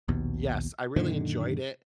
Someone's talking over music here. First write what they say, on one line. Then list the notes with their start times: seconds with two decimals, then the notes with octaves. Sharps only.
Yes, I really enjoyed it.
0.08 A#1 D#2 B2
0.96 F#2 A#2 D3 D#3